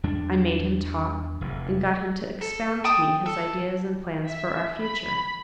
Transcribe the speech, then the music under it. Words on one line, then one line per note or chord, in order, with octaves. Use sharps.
I made him talk, and got him to expound to me his ideas and plans for our future.
E2 G3 D4
F1 E2
A4
G5 A5 D#6
A4
E5
B5